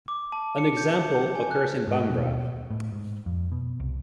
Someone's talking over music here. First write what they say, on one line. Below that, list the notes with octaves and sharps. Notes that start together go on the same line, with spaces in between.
An example occurs in Bambara.
D6
A5
C#7
G6
G#5
F#6
G#2
B2
A2
G#2
F2
B2
C2